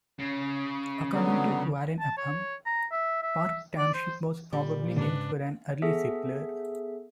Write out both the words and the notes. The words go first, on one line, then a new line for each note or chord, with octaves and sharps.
According to Warren Upham, Parke Township was probably named for an early settler.
C#3
D3 F#3 B3
A5
C#5
A#5
E5
E5
D5
C5
A#2 G3
G#2 C#3 D4 B4
B3 G#4 A4 E5 B6